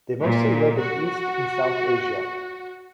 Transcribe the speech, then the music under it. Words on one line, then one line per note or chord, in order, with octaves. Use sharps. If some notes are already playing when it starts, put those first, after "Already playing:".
They mostly live in East and South Asia.
A#2
F#4